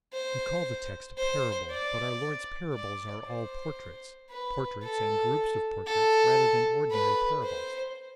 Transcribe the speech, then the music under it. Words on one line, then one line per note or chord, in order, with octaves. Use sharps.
We call the text a parable, but our Lord's parables are all portraits--portraits and groups of portraits, rather than ordinary parables.
C5
C5
D5
D5
C5
B4
A4
A4
B4
C5